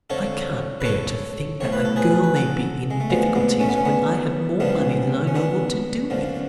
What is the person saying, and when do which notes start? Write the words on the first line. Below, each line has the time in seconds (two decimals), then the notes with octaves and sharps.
I can't bear to think that a girl may be in difficulties when I have more money than I know what to do with.
0.10 F2 D3 F3 A4 C#5
0.81 B4
0.85 A4 C#5
1.60 B1 A2 F3 C#5
1.72 B4
1.85 A4
1.96 G#4 B4
2.24 B4
2.36 F#4 A4
2.91 G#3
3.00 A3
3.10 D2 D3 F3 G#3 B3
3.35 G#3 B3
3.60 A3 C#4
3.69 B3
3.77 C#4
3.85 B3 D4
4.60 C#2 C#3 F3 B3 D4
5.27 C#4
5.35 B3 D4
6.10 F#2 D3 F3